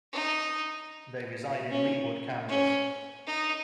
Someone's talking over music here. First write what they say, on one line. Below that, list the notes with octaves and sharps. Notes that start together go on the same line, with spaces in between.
They reside in Leawood, Kansas.
D#4
C#4
C#4
D#4